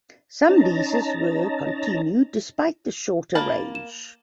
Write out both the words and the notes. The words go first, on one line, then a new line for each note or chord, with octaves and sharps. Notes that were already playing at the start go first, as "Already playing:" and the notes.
Some leases were continued despite the shorter range.
C#4 D#4 A5 A#5
A#3 A5 B5
E7